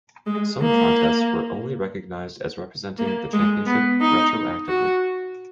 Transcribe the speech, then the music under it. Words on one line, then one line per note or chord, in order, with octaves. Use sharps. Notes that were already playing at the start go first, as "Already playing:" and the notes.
Some contests were only recognised as representing the Championship retroactively.
G#3
A#3
A#3
G#3
B3
D#4
F#4